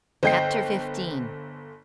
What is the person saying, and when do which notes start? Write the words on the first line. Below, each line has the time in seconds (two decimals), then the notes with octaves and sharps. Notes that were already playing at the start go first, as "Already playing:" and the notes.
Chapter XV.
0.23 G1 C5 D#5 G5 G6 C7